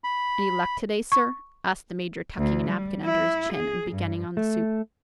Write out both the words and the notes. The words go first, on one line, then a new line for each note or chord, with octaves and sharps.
"Any luck today, sir," asked the Major, tucking a napkin under his chin and beginning on the soup.
B5
C#6
D2
G3
E4
G#4
G2
A3